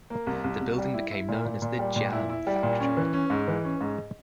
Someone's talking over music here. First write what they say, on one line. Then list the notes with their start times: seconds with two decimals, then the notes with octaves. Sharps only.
The building became known as The Jam Factory.
0.10 A#3
0.27 C2
0.44 C2
0.61 C2
0.78 G3
0.94 E4
1.11 E4
1.29 A#2
1.45 A#2
1.62 A#2
1.79 G3
1.96 A#2
2.13 E4
2.29 E4
2.47 G3
2.63 A#2
2.80 C#4
2.97 E3
3.13 C#4
3.30 G#2
3.48 E3
3.64 C#4
3.81 G#2